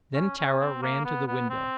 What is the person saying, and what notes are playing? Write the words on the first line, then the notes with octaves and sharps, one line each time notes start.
Then Tara ran to the window.
C#4
C#4
C4
A#3
B3
B3
C4